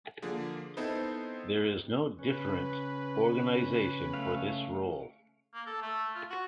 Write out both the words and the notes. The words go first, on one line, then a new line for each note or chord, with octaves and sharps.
There is no different organization for this role.
D3 F3 A#3 G#4
B3 C4 D#4 E4 A4 C5
C#3 C#4 B4
A3 F5
A#3
A4
A3
F4
F#4